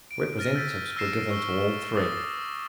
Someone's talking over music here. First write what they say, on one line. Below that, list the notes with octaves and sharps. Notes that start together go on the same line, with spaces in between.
Representatives were given to all three.
D7
F6 A6 A#6 D#7
E6 G6 A6 B6
E6 F6 A6 A#6 C7 E7
C#6 E6 G7
D6 D#6 A6 C7